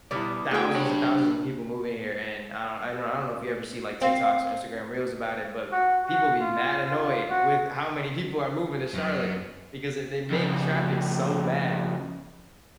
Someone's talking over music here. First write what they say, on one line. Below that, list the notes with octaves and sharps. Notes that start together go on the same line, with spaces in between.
thousands and thousands of people moving here and I don I know I don't know if you ever see, like, TikToks or Instagram Reels about it, but people be mad annoyed with how many people are moving to Charlotte because if they make traffic so bad,
B2 G3 B3 E4 D5
A3 B3 F#4 G#4 G5
D4 C#5 B5
C4 F5
F#4
F#4
F4
F4
F#4
F#2
F2 C#3